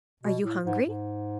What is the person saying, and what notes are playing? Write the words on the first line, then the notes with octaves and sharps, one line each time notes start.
"Are you hungry?"
B2
A2
G#2
G#2